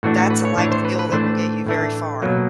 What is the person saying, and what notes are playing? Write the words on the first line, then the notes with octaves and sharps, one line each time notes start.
that's a life skill that will get you very far.
A2 E3 A3 D4 F#4
F#4
B4
C#5
A2 E3 A3 D4 C#5
C5
B4
B4
A2 E3 A3 D4 C5
A2 E3 A3 D4
B2 F#3 A#3